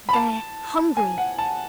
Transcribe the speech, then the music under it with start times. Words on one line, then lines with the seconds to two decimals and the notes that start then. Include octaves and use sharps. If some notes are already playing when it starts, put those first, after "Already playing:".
"They're HUNGRY!"
0.09 B5
0.13 A5
0.97 G#5
1.18 F#5
1.39 A5